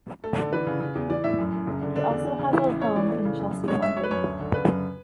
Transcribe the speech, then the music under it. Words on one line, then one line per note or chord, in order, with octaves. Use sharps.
He also has a home in Chelsea, London.
A3 A4
D3 A4
E3 B4
C#3
C#3
E2
E3 D5
A2 E5
F#2
F#2
F#1
D3
D3 D4
E2
E2
C#3
E3 E4
A1
A2 C#5
E3 D5
A3
C#3
F#2
F#2
G#3 C#5
G#3 E5
F#3 C#5
B4
F#2 C#5
D2
D3
C#3 B4
F#2